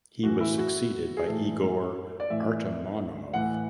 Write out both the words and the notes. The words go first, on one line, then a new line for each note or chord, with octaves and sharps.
He was succeeded by Igor Artamonov.
A2 E3 F#4
E4
F#4
G#4
A2 E3 A4
D5
A2 E3 E5
A2 E3 F#5